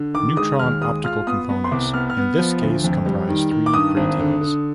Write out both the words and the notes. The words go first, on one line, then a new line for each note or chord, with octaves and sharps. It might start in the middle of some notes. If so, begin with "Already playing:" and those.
Neutron-optical components in this case comprise three gratings.
Already playing: D3
D#3 D6
G#3 D#6
D#2 F6
G#3 D#6
F4 F6
B3 D#6
B3
C6
C2 D6
B3 F6
F6
B3
F3
D2
F2
G3
D#3
D#3
D6
G2 D#6
G#1
D3
D3